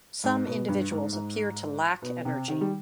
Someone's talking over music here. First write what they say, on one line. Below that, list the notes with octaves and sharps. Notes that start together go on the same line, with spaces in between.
Some individuals appear to lack energy.
G#2
B2
G2
G#2
G#2
B2
C3
D#3
G3